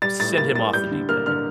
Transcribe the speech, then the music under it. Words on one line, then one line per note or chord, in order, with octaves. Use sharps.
sent him off the deep end.
G3 A6
A2 A6
A#3 A6
A2 A6
G3 G6
D3
A#3 F6
D3 F6